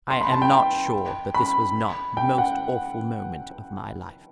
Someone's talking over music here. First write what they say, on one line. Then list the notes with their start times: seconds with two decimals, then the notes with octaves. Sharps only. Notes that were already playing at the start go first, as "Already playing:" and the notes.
I am not sure that this was not the most awful moment of my life!
0.10 C6
0.21 B5
0.32 A5
0.42 G5
1.34 B5
2.17 G5
2.38 F#5